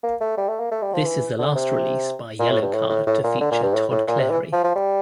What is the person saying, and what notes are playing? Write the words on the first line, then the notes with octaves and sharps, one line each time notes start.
This is the last release by Yellowcard to feature Todd Clary.
A#3
A3
G3
A3
A#3
A3
G3
F3
E3
D3
C3
A#2
A2
G2
A2
A2
A2
A#2
D3
A#2
G2
A2
A2
A#2
C3
E3
F3
F3
G3